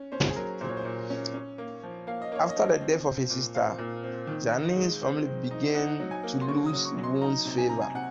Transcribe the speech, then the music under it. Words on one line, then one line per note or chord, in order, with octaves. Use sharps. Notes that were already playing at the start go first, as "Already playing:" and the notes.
After the death of his sister, Yannian's family began to lose Wu's favour.
Already playing: C#4
C#4 C5
G#4
F#3 A#4
A#2 C5
C#5
C5
A#2
C#4
C#4
A#3
F3
A#3 F5
D#5
A#3 C#5
D#5
F3
C4
C4
A#2
C4 F5
A#2
C4
D#3
D#4
G#3
C4
C4
D#4
D#4 F#5
F#3
G#5
A#3
C6
C#3 C#6
D#6
F#3
C#6
F#3
C6
D#4 A#5
C3
G#5
C3 A#5
G#5
C3 F#5